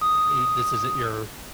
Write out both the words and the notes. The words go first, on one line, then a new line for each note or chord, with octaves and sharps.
Th this isn't your,
D#6